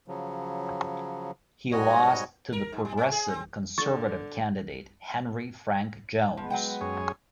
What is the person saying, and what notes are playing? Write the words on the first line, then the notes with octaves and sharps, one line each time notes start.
He lost to the Progressive Conservative candidate, Henry Frank Jones.
C#3 F3 F#3
G#2 G3 F#4 C#5 D#5 G#5
A#4
G#2
G3
C#4
G#4
C4
D3 C#6 A6
F3 G#3 B3 B4
F#3 F#5 G5
F#2 G#4 C#5